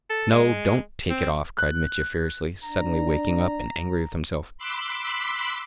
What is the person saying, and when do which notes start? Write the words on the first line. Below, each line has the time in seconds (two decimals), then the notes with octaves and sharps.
"No, don't take it off," cried Mitya furiously, suddenly waking up, and angry with himself.
0.10 A4
0.31 G#3
1.10 C4
1.59 F#6
2.64 D4 A#5
4.58 B5 C6 D6 E6 F#6 B6